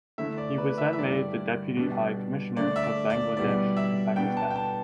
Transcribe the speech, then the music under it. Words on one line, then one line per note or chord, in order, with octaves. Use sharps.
He was then made the Deputy High Commissioner of Bangladesh to Pakistan.
D3 A3 E4 E5
D5
B4
E5
E5
G2 D3 G3 E4 D5
B2 G3 D4
D3 A3 D4 D5
E5
D5
D5
B2 G3 B3 E4 D5
E5
B2 B3 D4 G5
A5
G5
A5